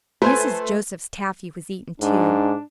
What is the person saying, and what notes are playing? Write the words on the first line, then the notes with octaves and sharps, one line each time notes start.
Mrs. Joseph's taffy was eaten too.
A3 F4 B4 C5 G#5 C6
G#2 D4